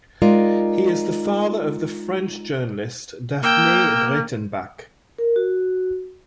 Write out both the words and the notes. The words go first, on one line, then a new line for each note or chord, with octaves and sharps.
He is the father of the French journalist Daphnee Breytenbach.
G#3 D#4 F4 A#4 D5
A#3 G5 E6
A#4
F#4